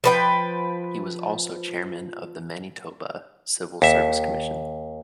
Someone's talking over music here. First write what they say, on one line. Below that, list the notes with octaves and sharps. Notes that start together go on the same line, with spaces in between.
He was also chairman of the Manitoba Civil Service Commission.
F3 B4 G5
D#2 E5